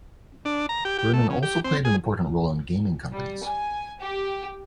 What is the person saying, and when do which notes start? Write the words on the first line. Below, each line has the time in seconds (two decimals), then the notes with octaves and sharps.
Berman also played an important role in gaming companies.
0.45 D4
0.69 A#5
0.85 G4
0.98 G4
1.13 A3
1.30 C#3
1.43 G4
1.64 C4
1.85 G#4
3.12 G3
3.44 G#5
4.00 G4